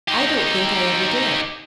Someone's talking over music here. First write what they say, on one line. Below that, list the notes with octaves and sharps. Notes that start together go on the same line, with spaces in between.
"I don't think I ever did."
D#4 G4